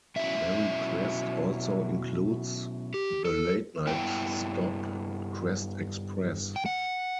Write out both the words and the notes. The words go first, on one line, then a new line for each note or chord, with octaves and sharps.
Marycrest also includes the late-night stop, Crest Express.
B2 F#3 C#4 E4 E5
G4
A4
G2 E3 B3 E4 G5
G5
F#5